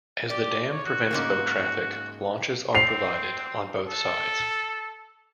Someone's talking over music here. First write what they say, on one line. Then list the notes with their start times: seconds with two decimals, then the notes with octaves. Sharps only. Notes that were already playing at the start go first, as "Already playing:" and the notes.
As the dam prevents boat traffic, launches are provided on both sides.
0.30 G4 D5
0.70 C#5
0.86 F#4
1.11 G#2 C#3 A#3
2.75 C4 C7 F7
3.87 A4